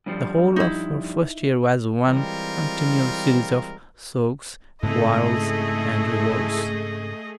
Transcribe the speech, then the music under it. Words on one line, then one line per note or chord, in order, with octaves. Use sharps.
The whole of her first year was one continual series of sulks, quarrels, and revolts.
G2 F3 G3
D#4 E4
E3 G3 G#3 C4 F4 A#4
G#2 C#3 A3 C4 E4 G#4 A4 D#5